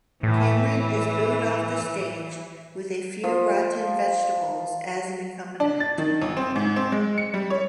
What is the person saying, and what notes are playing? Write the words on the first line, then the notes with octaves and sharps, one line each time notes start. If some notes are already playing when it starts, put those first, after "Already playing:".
Cameron is booed off the stage, with a few rotten vegetables as an accompaniment.
A2 E3
F3
D4
A6
D#3
G1
C4
G#2
C4
G#3
C#7
G3
C#5